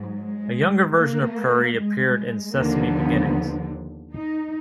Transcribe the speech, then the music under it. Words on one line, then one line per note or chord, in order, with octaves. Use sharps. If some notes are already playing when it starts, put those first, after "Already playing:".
A younger version of Prairie appeared in "Sesame Beginnings".
Already playing: G#2 F#3
G#3
A#3
G#3
D#2 D3 F3 A#3
B3
D#4